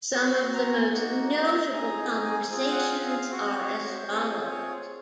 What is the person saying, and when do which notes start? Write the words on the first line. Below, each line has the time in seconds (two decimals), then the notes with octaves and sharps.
Some of the most notable conversations are as follows.
0.14 C4 F#4
0.33 C6
0.53 A#5
0.72 G#5
0.92 A#3 D#4 F#4 F#5
1.32 A#5
1.72 C4 D#4 G#4 A#5
1.98 G#5
2.25 G#5
2.51 C4 F4 G#4 G#5
2.72 F#5
2.91 F5
3.10 F5
3.30 C4 F#4
3.57 C#5
3.83 C5
4.10 C4 F4 G#4 C#5
4.30 C5
4.50 C#5